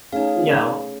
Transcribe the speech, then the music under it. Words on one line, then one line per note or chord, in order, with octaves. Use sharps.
you know?
A3 C#4 D#4 G#4 F5